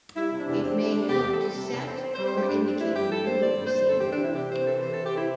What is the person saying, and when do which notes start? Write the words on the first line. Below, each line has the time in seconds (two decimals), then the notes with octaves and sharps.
It may help to set or indicate the mood of a scene.
0.16 G3 E4
0.32 C3
0.39 D4
0.47 E2
0.63 C4
0.78 G3
0.94 C3
1.10 E2 G4
1.25 C4
1.33 A4
1.40 G3
1.56 C3
1.72 E2
1.87 C4
2.02 C4
2.14 C5
2.18 G3
2.26 C5
2.34 G2 G4
2.49 G2 D4
2.65 C4 D4
2.80 G3 E4
2.96 G2 G4
3.11 G2 A4
3.27 C4 C5
3.43 G3 D5
3.58 G2
3.66 C5
3.73 G2
3.89 C4 A4
4.00 E3 G4
4.13 D4
4.21 C3 E4
4.35 C3 G4
4.51 C4 C5
4.67 E3 A4
4.82 C3 C5
4.94 C3 A4
5.06 G4
5.13 C4 E4